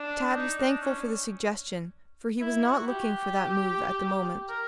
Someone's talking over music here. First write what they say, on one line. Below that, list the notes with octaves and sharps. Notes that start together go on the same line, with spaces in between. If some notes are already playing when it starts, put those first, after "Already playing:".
Tad was thankful for the suggestion, for he was not looking for that move at the moment.
Already playing: D4
D#4
D4
C#4
E4
F#4
G4
A#4